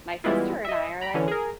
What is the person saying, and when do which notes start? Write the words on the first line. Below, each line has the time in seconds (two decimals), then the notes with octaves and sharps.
my sister and I are, like
0.24 E3 G3 G#3 B3 E4 F4
0.65 D#5 E5
1.01 A#5 B5 D7
1.14 D3 E3 C#4
1.28 G#4 A#4